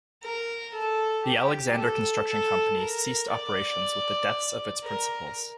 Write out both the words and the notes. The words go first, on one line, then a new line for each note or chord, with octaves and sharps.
The Alexander Construction Company ceased operations with the deaths of its principals.
A#4
A4
G4
A4
A4
A#4
D5
A#4